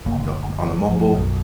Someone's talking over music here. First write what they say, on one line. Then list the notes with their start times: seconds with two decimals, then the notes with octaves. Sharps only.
on the on the mobile.
0.05 F#1 C#3 A#3
0.18 F#1 A2 D3
0.89 G1 D2 F3
1.14 B1 F#2 B2